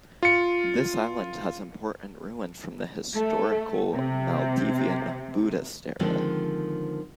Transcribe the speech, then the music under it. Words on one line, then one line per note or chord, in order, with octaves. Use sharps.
This island has important ruins from the historical Maldivian Buddhist era.
F4 C#7
A3
C3
D3 D#3 F3 G#3 C4